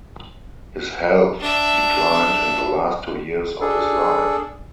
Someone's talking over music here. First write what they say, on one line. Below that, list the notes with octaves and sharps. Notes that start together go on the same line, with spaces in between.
His health declined in the last two years of his life.
D4 E5
D4 G#4 A4